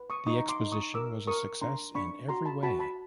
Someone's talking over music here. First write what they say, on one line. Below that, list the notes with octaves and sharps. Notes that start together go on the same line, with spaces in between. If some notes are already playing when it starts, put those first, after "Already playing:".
The exposition was a success in every way.
Already playing: B4
C#6 D#6
D#4 C#6 D#6
C6 D6
D#4
C#6 D#6
A#4 D6 E6
A#4 C#6 D#6
D4 A#5 C6
D4 B5 C#6
F#4 A#5 C6
A5 B5
F#4 A5 B5
A5 B5